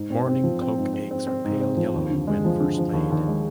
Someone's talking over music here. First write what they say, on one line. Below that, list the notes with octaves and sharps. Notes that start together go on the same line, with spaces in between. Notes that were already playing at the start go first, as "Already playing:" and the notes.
Mourning cloak eggs are pale yellow when first laid.
Already playing: G#2
C4
C4
F3
C4
G#2
C4
C4
C4
G#2
C4
F3
D#2
D3
G#3
F3
D3
F3
D#2
D#2
G#3